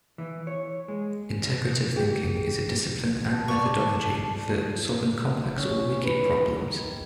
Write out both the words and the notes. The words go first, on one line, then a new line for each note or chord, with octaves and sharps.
Integrative thinking is a discipline and methodology for solving complex or wicked problems.
E3
C#5
G#3
G4 G#4
A5
D5 C#6
C#4
B4
D#3